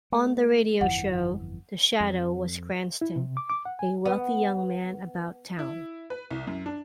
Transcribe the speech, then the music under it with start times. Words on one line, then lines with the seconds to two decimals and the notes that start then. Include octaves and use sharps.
On the radio show, The Shadow was Cranston, a wealthy young man about town.
0.12 A3
0.81 G1 F2 E3 F#5
2.01 F2
3.01 E4
3.16 C3
3.37 D6
3.50 D6
3.65 F#5
3.79 G#5
4.05 B3
5.59 E4
6.10 B4
6.31 C2
6.47 F#2
6.66 D4